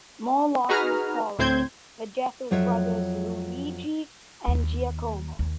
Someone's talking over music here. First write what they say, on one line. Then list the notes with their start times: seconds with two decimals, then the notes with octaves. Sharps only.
More losses followed: the death of the brothers Luigi and Giacomo.
0.69 D#4 F#4 G#4 B4 A#5 F6
1.39 D2 A2 C4 C5 G6 G#6
2.51 F2 F#3 F4 C#5 E5
4.48 D#2
5.39 D#2